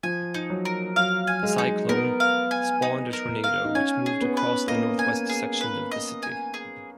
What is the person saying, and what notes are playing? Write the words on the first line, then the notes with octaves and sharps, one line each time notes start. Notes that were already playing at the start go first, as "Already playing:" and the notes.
The cyclone spawned a tornado which moved across the northwest section of the city.
F3 G#5
D#4
F#3
A#4
F#3 F5
G#5
G#3
D#4
B3 A#4
F5
G#5
D#4
A#4
F5
D#4
C#4 G#5
G#4
B3
B4
A#3 D#5
G#5
G#4
B4
D#5
G#5
G#4